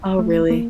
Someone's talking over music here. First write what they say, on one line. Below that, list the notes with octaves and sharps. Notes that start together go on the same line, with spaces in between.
Oh really?
A3
A#3